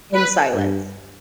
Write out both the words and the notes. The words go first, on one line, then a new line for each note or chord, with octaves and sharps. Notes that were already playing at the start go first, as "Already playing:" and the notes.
in silence.
B4
G2